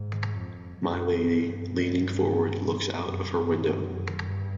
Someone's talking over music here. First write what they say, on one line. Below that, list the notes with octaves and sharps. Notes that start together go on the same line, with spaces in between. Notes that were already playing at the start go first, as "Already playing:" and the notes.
My Lady, leaning forward, looks out of her window.
Already playing: G#2
F2
F#2
G2
F#2
G2
F#2
G2